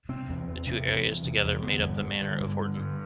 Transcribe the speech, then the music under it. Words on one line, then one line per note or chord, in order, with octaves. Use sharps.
The two areas together made up the Manor of Horton.
C3 C4
E2
E2
C3
E2
E2
C3
E2
D3 B3
G2
G2
D3
G2
D3
G2